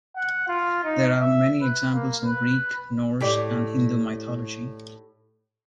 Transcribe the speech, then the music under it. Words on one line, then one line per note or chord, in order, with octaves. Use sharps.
There are many examples in Greek, Norse, and Hindu mythology.
F#5
F4
D#4
E5
B4
A#3
B4
A2 G4 D5